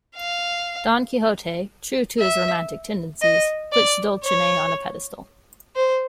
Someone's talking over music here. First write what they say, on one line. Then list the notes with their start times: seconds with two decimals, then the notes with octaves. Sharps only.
Don Quixote, true to his romantic tendencies, puts Dulcinea on a pedestal.
0.16 F5
2.19 E5
3.22 D#5
3.72 D5
4.24 C#5
5.76 C5